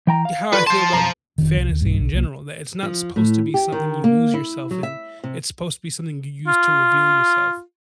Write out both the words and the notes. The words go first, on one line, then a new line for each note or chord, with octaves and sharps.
how I feel about fantasy in general, that it's not supposed to be something you lose yourself in, it's supposed to be something you use to reveal yourself.
E3 G5 A#5
F5
F4 A4 B4 D5
C5 A5 C6
B1 F2 A#5
F1 D#3
C2
D#2
B1 G2
B1
C2 A#3
F3
A2
G4
D#3
A#3
E4
F#3
E5
C3
F4